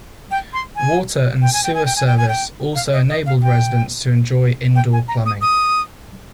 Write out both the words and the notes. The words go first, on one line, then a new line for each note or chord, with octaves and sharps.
Water and sewer service also enabled residents to enjoy indoor plumbing.
G5
C6
G#5
G5
G#5
G5
G#5
G5
G#5
G5
G#5
G5
F5
D#5
D#5
F5
G5
G5
G#5
A#5
D#6
D#6